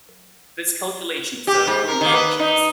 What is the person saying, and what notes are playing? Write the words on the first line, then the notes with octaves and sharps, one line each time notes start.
This calculation serves two functions.
G4
G#2
A#4
D#3 A#3
B4
D#4